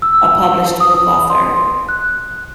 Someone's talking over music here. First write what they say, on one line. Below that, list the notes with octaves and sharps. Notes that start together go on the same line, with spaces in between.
a published book author.
E6
D#6
C6
F#6